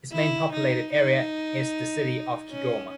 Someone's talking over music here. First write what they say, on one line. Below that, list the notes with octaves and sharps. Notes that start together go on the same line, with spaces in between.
Its main populated area is the city of Kigoma.
E4
D#4
D#4
C#4